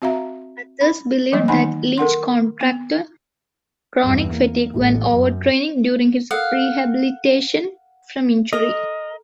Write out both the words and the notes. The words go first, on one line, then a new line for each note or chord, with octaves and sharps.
Others believed that Lynch contracted chronic fatigue when overtraining during his rehabilitation from injury.
C4 F#4 E5 F5 A#5
B5
E3 F#3 G3 A#3 D#5
D#3 A#3 D#4 F#5 G#5 B5
A4 A#4 F#5 C6
B3
E2 G2
A#3
A1
F#2
A4 A#4 F5 F#5
A4 A#4 D#5